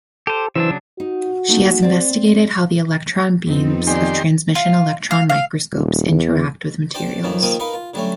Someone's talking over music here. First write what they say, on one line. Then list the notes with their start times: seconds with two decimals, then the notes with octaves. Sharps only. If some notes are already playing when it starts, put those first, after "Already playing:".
She has investigated how the electron beams of transmission electron microscopes interact with materials.
0.27 G4 A4 C5
0.56 C#3 E3 F#3 D4 C5 E6
1.00 D#4 F#4
1.49 A3 A#3 D#4
1.82 C4 D5
3.46 F2 B3 C4 D#4
3.87 D#3 G4 D5 D#5 G#5 C6
4.55 F4
5.11 F5
5.29 F5
5.72 D#1
6.11 E2
6.94 D4 F#4 G4 C5 D5
7.23 F2 D#3 F3 F#3 C#4
7.42 D#3 F3 A#3 C4 A#4 D#6
7.59 D#4 A#4 B4 D#5 F5
7.73 F4
7.94 D3 F#3 G3 A3 C#4